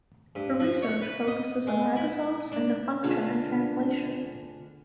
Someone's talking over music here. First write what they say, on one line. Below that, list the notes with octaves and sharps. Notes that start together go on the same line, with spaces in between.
Her research focuses on ribosomes and their function in translation.
G2
F3
C#5
B4
D#5
G#3
E4
D4
D2 B2 D4 F4 G#4 F#5